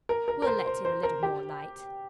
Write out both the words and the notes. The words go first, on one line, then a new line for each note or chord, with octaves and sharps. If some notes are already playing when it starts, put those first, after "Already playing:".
We'll let in a little more light.
A#4
A#4
A#4
C5
C5
C5
A#4
G4